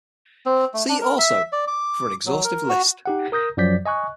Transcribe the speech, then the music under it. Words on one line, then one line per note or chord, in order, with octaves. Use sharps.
See also: for an exhaustive list.
C4
A3
D4
A#4
E5
D5
D6
F#3
A#4
F#4
D#4 G4 F#5
A#4 D#6 G6 A#6
F#2 F3 F#3 D5 G6 B6
D#5 G#5 C#6 F#6